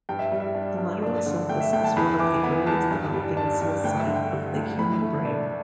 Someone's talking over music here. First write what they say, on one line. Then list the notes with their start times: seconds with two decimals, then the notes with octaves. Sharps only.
The lateral sulcus is one of the earliest-developing sulci of the human brain.
0.09 G2 G5
0.19 E5
0.32 G3
0.40 E5
0.55 D4
0.78 G2
1.02 D4
1.26 D3
1.49 A3 G5
1.61 E5
1.73 D2 G5
1.84 A5
1.96 E2 B5
2.19 E3 D6
2.43 B3 B5
2.67 E2 A5
2.91 G2
3.13 G3
3.37 D4 A5
3.61 G2
3.84 D2 G5
4.00 E5
4.07 D3
4.15 G5
4.32 G3
4.55 D2
4.79 A2 B5
5.02 A3
5.25 D4